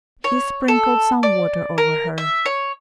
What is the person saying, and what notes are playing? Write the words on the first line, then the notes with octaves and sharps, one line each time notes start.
He sprinkled some water over her.
C#5
A4
D5
A#4
E5
C#5